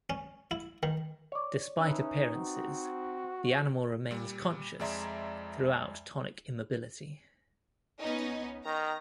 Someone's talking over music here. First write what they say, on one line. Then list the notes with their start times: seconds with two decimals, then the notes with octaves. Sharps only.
Despite appearances, the animal remains conscious throughout tonic immobility.
0.10 C#4
0.51 E4
0.83 D#3
1.32 C#5 D5
1.79 C#4 D#4 B4 E5 A5
2.34 C4 F#4
4.11 A#2 G3
4.80 F2 G#3 D5 E5 A#5 C6
8.00 B3 C#4 D#4
8.65 D#3 A#5